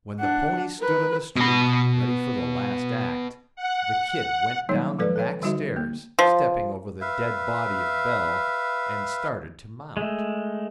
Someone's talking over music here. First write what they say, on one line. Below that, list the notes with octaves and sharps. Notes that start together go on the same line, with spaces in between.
When the pony stood on the street, ready for the last act, the "Kid" went down the back stairs, stepping over the dead body of Bell, and started to mount.
D4 F#5
A#4 B4
B2 B5
F#5
D#3 F#3 G3 A#3 D#4 C#5
F3 G#3 A4 B4 D5
A4 C#5
D3 G3 D#4 F#4 D#5 E5
A#3
F3
B4 E5 F5
G#3 A3